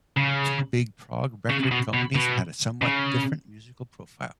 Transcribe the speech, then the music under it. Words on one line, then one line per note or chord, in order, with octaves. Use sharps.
The two big progg record companies had a somewhat different musical profile.
C#3
C#3
B2
B2
B2
C#3